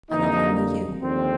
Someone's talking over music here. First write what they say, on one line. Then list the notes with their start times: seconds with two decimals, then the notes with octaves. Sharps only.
I love only you.
0.11 F2 D3 G3 A#3 D#4
1.02 D#2 D3 F3 C4